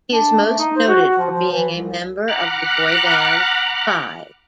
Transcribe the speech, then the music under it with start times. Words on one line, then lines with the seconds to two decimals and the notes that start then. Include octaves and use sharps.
He is most noted for being a member of the boy band Five.
0.11 D4
0.42 A3
0.58 D#4
0.76 C5
0.87 F#4
1.01 F#4
1.18 F3
1.31 F3
1.52 E3
1.75 C2
2.28 F#5 A#5 B5 D6 F6 F#6